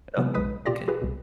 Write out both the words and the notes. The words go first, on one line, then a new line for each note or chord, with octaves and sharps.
Oh, okay.
C3 F#3 B3
B1 G#3 B4 D#6 B6
B2 F4 G4 D5 A#6
F4 G4 G#4 B4
C2 B2